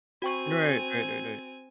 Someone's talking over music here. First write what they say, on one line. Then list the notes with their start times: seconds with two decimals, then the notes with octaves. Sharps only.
Right, right, right, right.
0.22 C4 F#4 G5 G#5 C#6